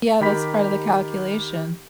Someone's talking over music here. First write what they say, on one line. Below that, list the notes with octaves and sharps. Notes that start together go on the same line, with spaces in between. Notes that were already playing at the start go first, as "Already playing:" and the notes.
yeah, that's part of the calculation,
D#3 G4 B5 B6